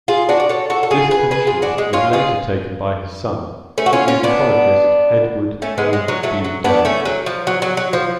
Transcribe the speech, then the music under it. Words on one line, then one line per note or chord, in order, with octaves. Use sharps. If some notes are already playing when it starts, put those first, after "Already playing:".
This position was later taken by his son, musicologist Edward O. D. Downes.
F4 G#4
D4 F#4
D5
A4 C#5
F#4 A4
A4
F4 G#4
G#4 B4
G#4 B4
F4 G#4
D4 F#4
G#3
C#4 F4
F4 G#4
A3 C#4
F#4
C#4 F4
C#4 F4
B3 D4
A3 C#4
G#3 B3
G#3
F#3
F#3 A3
F#3
B3 D4
A3 C#4
F#3
F3
F#3
F#3
F#3
F3